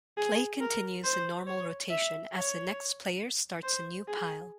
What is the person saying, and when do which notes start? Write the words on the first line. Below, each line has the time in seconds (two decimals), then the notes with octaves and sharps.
Play continues in normal rotation as the next player starts a new pile.
0.18 G#4
0.61 A#4
1.04 C5
1.47 C#5
1.91 E5
2.34 C#5
3.64 C5
4.08 G#4